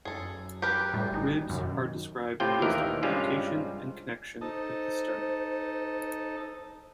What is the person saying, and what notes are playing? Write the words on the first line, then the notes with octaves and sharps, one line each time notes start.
Ribs are described based on their location and connection with the sternum.
F#2 G#4 A4
G4 A#4 B4 G#5 F#6 D7
A2 G3
G1 D#4
F#2 B2 D#3
A2 C3 F4 G5
D#2 D#3 E3 A#4
G2 C3 G3 G#3 C#4 F4
D#4 A4 C5